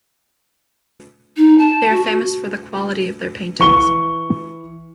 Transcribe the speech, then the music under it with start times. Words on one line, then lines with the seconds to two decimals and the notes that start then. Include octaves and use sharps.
They are famous for the quality of their paintings.
1.37 D#4
1.58 A5
1.90 F#4
3.59 E3 C#6 G7